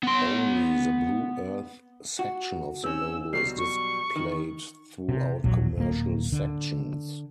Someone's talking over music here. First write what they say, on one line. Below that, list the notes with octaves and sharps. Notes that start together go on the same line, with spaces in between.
Only the blue earth section of the logo is displayed throughout commercial sections.
B3 C6
F#4
C4 C#4 E6
B2 F#3 G3 C7
C#6
D#3
C3
D#1 A#1 F#3
D1 A#3
D3